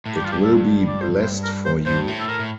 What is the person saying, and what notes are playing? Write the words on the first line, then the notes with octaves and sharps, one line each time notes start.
It will be blessed for you.
A2
G2 G4
F4
G4
A4
D5
C5
C5
A#4
C5
G2 C5
A2
A4
A2 A#4
A2